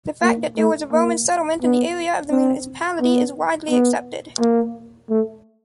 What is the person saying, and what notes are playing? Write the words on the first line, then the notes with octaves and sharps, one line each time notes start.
The fact that there was a Roman settlement in the area of the municipality is widely accepted.
A#3
A3
A#3
B3
C4
B3
B3
A#3
A3